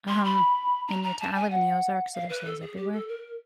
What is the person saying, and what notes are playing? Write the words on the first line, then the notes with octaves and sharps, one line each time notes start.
um, in your tow I live in the Ozarks, so there's hills everywhere.
C6
B5
A#5
A#5
A5
G#5
F#5
F5
B4
A4
G#4
G4
A4
A#4